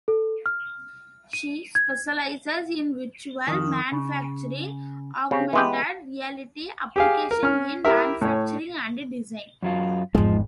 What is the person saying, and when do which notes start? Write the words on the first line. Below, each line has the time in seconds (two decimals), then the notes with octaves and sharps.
She specializes in virtual manufacturing, augmented reality application in manufacturing and design.
0.08 A4
0.46 F6
1.33 D#7
1.75 G#6
3.48 F2 D#3
3.92 C#3
5.31 C#3 C4 G4
5.53 E3 G#3 B3 G4 B4
6.96 G4 G#4 F5
7.31 A#4
7.43 C#4 F6
7.85 E4 G4 A#4 E5
8.21 A2 C#5
9.63 F#2 F#3 F4
10.15 G#1 E2 F3 G#3